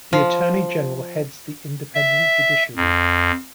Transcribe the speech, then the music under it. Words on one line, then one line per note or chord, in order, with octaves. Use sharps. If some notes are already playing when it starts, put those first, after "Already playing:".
The Attorney General heads the independent judiciary.
F3
E5
F2